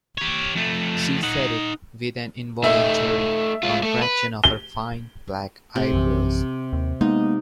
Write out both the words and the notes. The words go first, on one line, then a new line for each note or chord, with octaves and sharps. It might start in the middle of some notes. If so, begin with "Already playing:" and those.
She said it with an involuntary contraction of her fine black eyebrows.
G4 C#5
F2 A3
D#4 F#5
A3 D#4 E5
G#3 F4
A3
B4
G7
C3
A#1 F#2 E3
D#2
G#3 A#3 B3 D#4